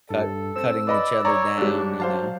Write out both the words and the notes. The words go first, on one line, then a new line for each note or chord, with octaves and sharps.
cut cutting each other down, you know?
G2 A4
C4 E6
B4 D5 D#5 B5
C#5 D5 A#5
G#2 G3 D4
F#3 C5 F5 A5